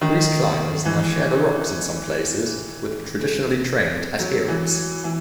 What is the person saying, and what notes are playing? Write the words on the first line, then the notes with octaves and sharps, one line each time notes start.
These climbers now share the rocks in some places with traditionally-trained adherents.
D#3
E3
F#3
E3
E3